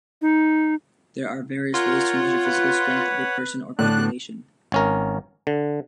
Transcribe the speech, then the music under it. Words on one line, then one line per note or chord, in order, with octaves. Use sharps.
There are various ways to measure physical strength of a person or population.
D#4
F4 A#4 C#5 F#5
B4
A2 D3 D4 F#6
G#1 C#4 A#4
D3